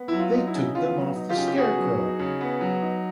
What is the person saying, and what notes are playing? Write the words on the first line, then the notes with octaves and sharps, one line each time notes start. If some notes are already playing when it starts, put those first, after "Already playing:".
They took them off the scarecrow.
Already playing: B3
F#3 E4
F4
D#4
E4
C#3
B3 F4
F#3
D#4
F4 G4
C#3
G4
B3 F#4 G#4
F#3
D#4
C#3
B3
F#3
D#4